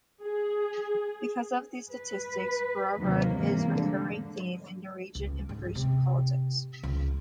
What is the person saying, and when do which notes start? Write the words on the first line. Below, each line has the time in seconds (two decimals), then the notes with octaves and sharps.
Because of these statistics Grorud is a recurring theme in Norwegian immigration politics.
0.22 G#4
1.91 B4
2.98 D#2 C3 D#3 F#3 A#3
3.35 E2 G#2 C3 G3 A#3
3.69 D3
5.15 C#2
5.49 G#2
5.75 C3
6.83 C#2